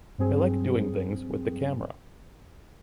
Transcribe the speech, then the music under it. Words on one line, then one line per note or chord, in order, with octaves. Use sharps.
I like doing things with the camera.
G2 F#3 C4 G#4